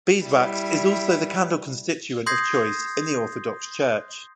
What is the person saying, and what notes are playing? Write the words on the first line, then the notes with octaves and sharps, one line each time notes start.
Beeswax is also the candle constituent of choice in the Orthodox Church.
G3 E4
C6 D#6 G6 G#6 A#6 C7